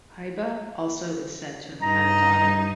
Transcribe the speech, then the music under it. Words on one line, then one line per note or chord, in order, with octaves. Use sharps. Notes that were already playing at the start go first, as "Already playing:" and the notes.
Pybba also is said to have had a daughter.
G2 D#4 A#5